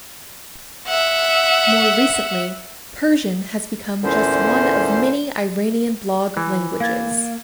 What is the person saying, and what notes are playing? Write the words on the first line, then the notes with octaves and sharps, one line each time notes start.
More recently, Persian has become just one of many Iranian blog languages.
E5 F#5
E2 A#2 D3 E3 C#4 C5
E3
A#3 F5 G#6 A6